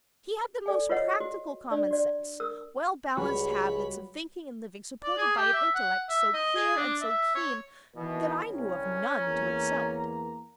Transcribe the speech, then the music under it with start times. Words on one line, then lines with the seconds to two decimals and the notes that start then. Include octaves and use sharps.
He had the most practical common sense--well-balanced habits of thinking and living, supported by an intellect so clear and so keen that I knew of none to excel it.
0.66 A4 D5 G#5
0.89 F4 B4 C#5 D#5 F#5
1.20 F#4
1.71 D4 D5
1.91 F#4 D5
2.40 A#4 E6
3.17 C#2 G3 F#4 C#5 B5
5.03 D5
5.18 G#4
5.37 G4
5.53 E5
5.75 F#5
6.09 E5
6.34 D#5
6.56 G#4
6.76 D4
7.01 E5
7.35 C#5
7.96 B2 D#3 E3
8.49 C2 C#4
9.21 E2 A#3 A#5